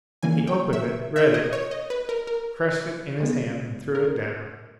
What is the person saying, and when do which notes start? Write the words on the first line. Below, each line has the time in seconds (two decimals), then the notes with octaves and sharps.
He opened it, read it, crushed it in his hand and threw it down.
0.23 C#3 E3 G3 A#3 G#5
0.47 G5
0.73 E5
1.16 E5
1.34 D#5
1.53 C#5
1.71 D#5
1.90 B4
2.09 A#4
2.27 A#4
3.20 C#3 G#3 B3
3.95 A#4